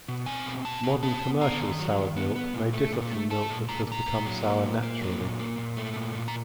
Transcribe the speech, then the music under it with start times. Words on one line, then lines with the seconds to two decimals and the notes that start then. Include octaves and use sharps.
Modern commercial soured milk may differ from milk that has become sour naturally.
0.08 B2
0.26 C4 G#5
0.46 B2
0.65 B2 A5
0.83 B2
1.03 B3 A5
1.21 B3
1.41 B3 A#5
1.60 D#3
1.79 F#3
1.98 D#3
2.17 B3
2.36 B3
2.54 A#2
2.73 A3
2.92 A#2
3.11 A3
3.30 A3 A5
3.50 A#2
3.69 A#2 A#5
3.87 A#2 A#5
4.06 A#2
4.26 F#3
4.45 A#3
4.63 A#2
4.83 A#3
5.01 F#3
5.20 A#2
5.39 A#3
5.58 A#2
5.77 A3
5.96 A#2
6.15 A#2
6.28 A#5